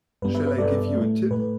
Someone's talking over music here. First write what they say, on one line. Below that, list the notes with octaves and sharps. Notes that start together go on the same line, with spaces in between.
Shall I give you a tip?
G2 G3 B3 B4
B4 E5
B4 E5
G2 G3 B3 A4 D5
A2 A3
A2 A3 B4